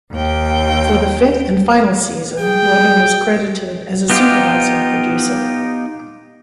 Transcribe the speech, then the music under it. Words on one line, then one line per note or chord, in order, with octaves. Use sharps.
For the fifth and final season Robin was credited as a supervising producer.
D#2 G5
G#4 G5
B3 D#4 F4 G4